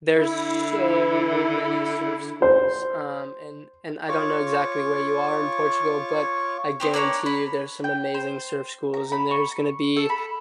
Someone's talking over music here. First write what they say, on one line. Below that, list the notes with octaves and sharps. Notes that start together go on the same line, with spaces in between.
there's so many surf schools. Um, and and I don't know exactly where you are in Portugal, but I guarantee you there's some amazing surf schools, and there's gonna be
D3 E4
C5
F4 C#5 C#6 D6
B3 C4 G4
A#3 D4 A4 C#5
B5
G5
C5
A#5
B5
C#6
A4
B5